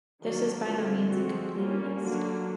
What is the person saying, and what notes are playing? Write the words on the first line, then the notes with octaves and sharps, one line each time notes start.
This is by no means a complete list.
D#3 F#3 A#3 D4 F#4
D3 F3 A3 C4 F4
F3 G#3 C4 F#4
G3 A#3 C#4 F4
D3 F#3 A#3 D4 F#4